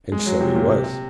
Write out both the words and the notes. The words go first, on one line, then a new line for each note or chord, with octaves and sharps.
And so he was.
G#3
F#3
C3
A#2
C3
C3